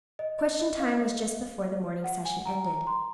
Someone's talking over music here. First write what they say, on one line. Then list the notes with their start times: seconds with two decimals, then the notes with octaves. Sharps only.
"Question time" was just before the morning session ended.
0.19 D#5
0.39 D#5
0.60 D#5
0.80 F5
2.04 F#5
2.25 G#5
2.46 A#5
2.66 A#5
2.87 C6